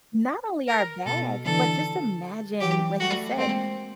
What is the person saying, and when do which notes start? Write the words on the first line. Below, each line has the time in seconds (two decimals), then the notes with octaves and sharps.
Not only our bag, but just imagine, like you said,
0.68 A#4
1.06 B2 A4
1.45 D3 E3 A4
2.60 E3 F#3 G4
2.99 G3 A3 F#4
3.38 G#3 A#3 C4